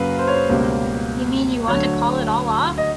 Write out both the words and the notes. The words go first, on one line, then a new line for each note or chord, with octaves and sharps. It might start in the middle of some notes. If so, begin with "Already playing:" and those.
You mean you want to call it all off?
Already playing: F#2 C#3 F#3 A#3 B4 F5
C5
C#5
C5
C#2 B2 G3 A#3
D2 D3 F#3 C#5
D#5